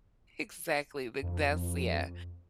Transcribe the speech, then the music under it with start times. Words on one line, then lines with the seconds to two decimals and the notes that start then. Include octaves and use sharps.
Exactly, big that's yeah.
1.22 F2